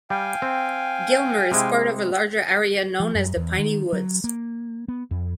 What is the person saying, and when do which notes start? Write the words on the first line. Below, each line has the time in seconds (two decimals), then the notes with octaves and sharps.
Gilmer is part of a larger area known as the "Piney Woods".
0.10 G3 F5 G5 G#5
0.42 C4
1.52 C3 G#3 E4
3.00 F3
3.15 F#2
3.36 E2
3.58 D#3
3.93 F#3
4.24 A#3
4.88 B3
5.11 F2